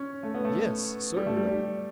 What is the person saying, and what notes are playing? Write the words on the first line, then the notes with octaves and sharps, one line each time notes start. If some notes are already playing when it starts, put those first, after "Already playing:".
Yes, certainly.
Already playing: C#4
A3
B3
A3
G3
A3
G3
G3